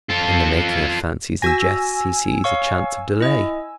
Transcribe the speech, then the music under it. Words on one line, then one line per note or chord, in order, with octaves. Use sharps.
In the making of fancies and jests he sees a chance of delay.
F4 A4
F#4 G#5 E6 A#6
C#5 F5 C#6
E4 D#5